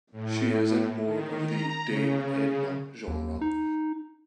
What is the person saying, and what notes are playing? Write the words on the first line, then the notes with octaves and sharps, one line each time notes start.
She is in more of the Dame Edna genre.
A2
D#3
A#5
C#3
D#2
D#4